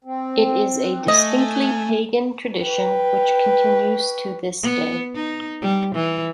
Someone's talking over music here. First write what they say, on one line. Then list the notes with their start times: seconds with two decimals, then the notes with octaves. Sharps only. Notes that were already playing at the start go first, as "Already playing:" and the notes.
It is a distinctly Pagan tradition which continues to this day.
0.05 C4
1.08 A3 D#5 G#5
2.63 B4 G5
4.63 B3
5.15 D#4
5.62 G3
5.95 E3